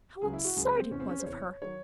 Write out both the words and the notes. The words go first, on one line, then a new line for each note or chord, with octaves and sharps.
How absurd it was of her!
C#2 C#3 F#3 G#4
E4
F#4
C#2 C#3 F#3 G#4
C4
E2 C3 E3 C#4
C4
C#4
C5
E2 C3 E3 C#5
D#3 F#3 C#5